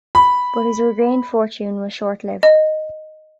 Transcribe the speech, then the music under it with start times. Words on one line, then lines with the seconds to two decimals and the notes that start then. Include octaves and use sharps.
But his regained fortune was short-lived.
0.15 B5
2.43 D#5